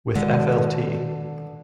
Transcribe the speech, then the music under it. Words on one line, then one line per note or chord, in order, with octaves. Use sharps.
With Flt.
D3 D#3 G#3 F#4 A4